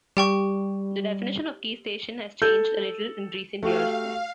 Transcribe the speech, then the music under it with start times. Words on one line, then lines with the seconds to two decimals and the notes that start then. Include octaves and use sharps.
The definition of key station has changed a little in recent years.
0.17 G3 G4 G5 C#6
2.42 A4 G6
3.63 A3 F#4 G4 F5